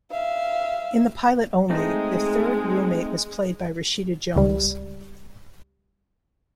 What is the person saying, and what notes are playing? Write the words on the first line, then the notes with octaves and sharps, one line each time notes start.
In the pilot only, the third roommate was played by Rashida Jones.
E5 F5
G#3 A3 C4 D#4
C#2 G3